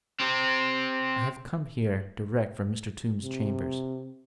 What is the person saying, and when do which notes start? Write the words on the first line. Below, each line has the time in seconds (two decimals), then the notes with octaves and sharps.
I have come here direct from Mr. Tombe's chambers.
0.20 C4 G4
3.23 C3